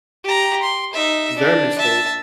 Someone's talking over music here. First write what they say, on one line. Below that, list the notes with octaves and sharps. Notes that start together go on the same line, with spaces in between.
their mistake
G4 A#5
C6
D#4 E5
D4
E5 A5